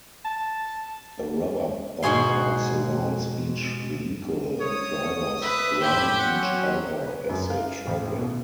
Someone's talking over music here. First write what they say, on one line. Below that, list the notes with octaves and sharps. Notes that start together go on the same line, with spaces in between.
A rubber bumper surrounds each vehicle, and drivers ram each other as they travel.
A5
G#2 B2 F#4 G#4 C6
C#5 D#6
B4 E5
A2 G4 C5 B5 G#6
F#3 C#4 F#5
B4
F#2
F5
A1
B2